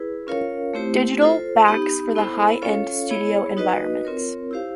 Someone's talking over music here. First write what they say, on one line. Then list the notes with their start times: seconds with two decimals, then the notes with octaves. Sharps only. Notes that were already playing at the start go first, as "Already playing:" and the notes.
Digital backs for the high-end studio environments.
Already playing: E4 G#4 B4
0.27 C#4 F4 A#4 C#5 F5
0.73 A3 C4 E4 G4 C5
1.22 F4 A4 C5
1.68 B3 D#4 G4
2.15 B3 E4 A4 C5
2.62 C#4 F4 A4 C#5 F5
3.09 B3 E4 G#4 C#5
3.57 D#4 F#4 B4 D#5
4.04 C4 F4 A#4 C#5
4.51 E4 G4 C5 F5